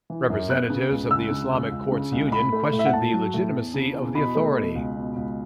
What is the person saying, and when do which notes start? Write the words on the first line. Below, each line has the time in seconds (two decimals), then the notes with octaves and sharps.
Representatives of the Islamic Courts Union questioned the legitimacy of the authority.
0.10 E3
0.30 F#2
0.50 B3 F#6
0.70 C#3
0.90 C#2
1.11 C#2 E6
1.31 C#3
1.52 C#2
1.71 C#2
1.92 C#3
2.12 C#2
2.32 A2 B5
2.52 A3
2.73 A2
2.79 E5
2.86 F#5
2.93 A2 A5
3.14 F#3
3.34 A2
3.54 E2
3.74 C#3
3.94 E2
4.14 B2 B5
4.35 A3
4.55 B2
4.75 C#2
4.96 B2
5.16 C#2